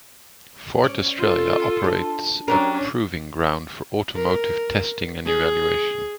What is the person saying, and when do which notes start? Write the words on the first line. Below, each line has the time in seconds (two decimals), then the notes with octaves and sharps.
Ford Australia operates a proving grounds for automotive testing and evaluation.
0.83 C#4 D5
1.18 F4 A4
1.84 D4
2.48 F#3 C#4 D4 G4 A#4
4.15 A#4
5.26 G#4